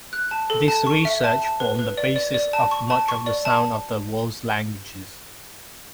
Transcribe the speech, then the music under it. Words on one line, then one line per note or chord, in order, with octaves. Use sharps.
This research formed the basis of much of "The Sounds of the World's Languages".
F#6
A5
A4
A5
C#6
E5
A5
A5
B4
B4
D5
D5
D5
A5
C#6
A5
C#6
D5
A5